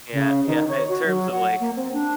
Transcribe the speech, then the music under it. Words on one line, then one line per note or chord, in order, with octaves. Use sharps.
Yeah yeah, in terms of, like,
C#3
D#3
C#5
F#4
F#3
F#5
A#3
C4
D4